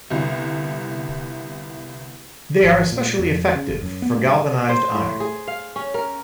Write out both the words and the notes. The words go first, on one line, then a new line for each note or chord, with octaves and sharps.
They are especially effective for galvanized iron.
G1 C2
G#1
A#2
F2
C#3
F#1
F#2
B3
G2
C5
A2
G#4
F5
C#4
A#4